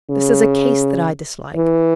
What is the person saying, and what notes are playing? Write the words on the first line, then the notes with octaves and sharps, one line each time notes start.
This is a case that I dislike.
C#3
E3